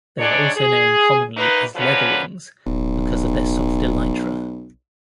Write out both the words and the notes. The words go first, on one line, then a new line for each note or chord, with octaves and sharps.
They are also known commonly as leatherwings because of their soft elytra.
F#3 G#3 D4 C#5 D5
G#4
D2 A#3 D#4 B4
F#2 D3 F3 F#3 C#4 B4
D1 B1